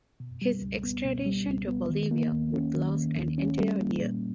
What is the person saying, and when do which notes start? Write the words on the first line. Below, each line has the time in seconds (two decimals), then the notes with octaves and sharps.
His extradition to Bolivia would last an entire year.
0.20 B2
0.42 G3
0.62 C#2
0.84 B3
1.05 B2
1.26 G3
1.47 C#2
1.68 B3
1.90 D#3
2.11 A#3
2.32 D#2
2.54 C#4
2.75 D#3
2.96 A#3
3.17 D#2
3.38 C#4
3.60 G3
3.80 A#3
4.02 A#2